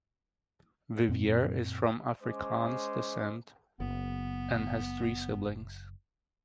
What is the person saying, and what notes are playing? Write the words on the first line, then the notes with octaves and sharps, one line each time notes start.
Vivier is from Afrikaans decent and has three siblings.
F#2 A#2 C4
G#3 C#4 C5 D6
F#1 B3